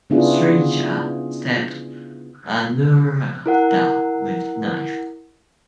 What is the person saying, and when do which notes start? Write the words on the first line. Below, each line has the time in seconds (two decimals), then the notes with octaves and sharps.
Sreeja stabbed Anuradha with knife.
0.10 C#3 B3 D4 E4 F4 G#4
3.46 E4 A#4 F#5